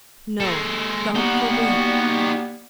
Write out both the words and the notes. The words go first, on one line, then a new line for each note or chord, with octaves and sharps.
No, God forbid!
G#3 A4
G3 A#3 B3 D#4 F#4